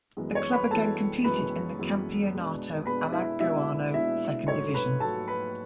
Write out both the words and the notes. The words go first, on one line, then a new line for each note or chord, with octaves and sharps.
The club again competed in the Campeonato Alagoano Second Division.
F#2 E3 G#3 B3
C#5 C#6
B4 B5
F#2 E3 G#3 B3 A4 A5
F#2 E3 G#3 B3 B4 B5
F#2 E3 G#3 B3
B2 G#3 B3 D4
B2 G#3 B3 D4 B4 B5
E4 E5
B2 G#3 B3 D4 E4 E5
B2 G#3 B3 D4 E4 E5
G#2 F#3 A3 C#5 C#6
B4 B5
G#2 F#3 A3 A4 A5
B4 B5